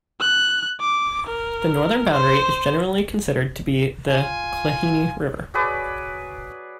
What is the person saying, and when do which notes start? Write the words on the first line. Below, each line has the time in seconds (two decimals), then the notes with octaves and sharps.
The northern boundary is generally considered to be the Klehini River.
0.20 F#6
0.80 D6
1.26 A#4
2.12 C5
4.09 F4 G#5
5.54 F#3 G#4 B4 D5